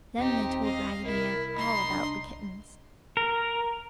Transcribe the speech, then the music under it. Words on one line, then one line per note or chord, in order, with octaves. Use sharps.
Then they told Raggedy Ann all about the kittens.
D#1 C4 D#4 G4
D#5 F5
C2 E4 A#4
D#4 B5 C6
D4
A#4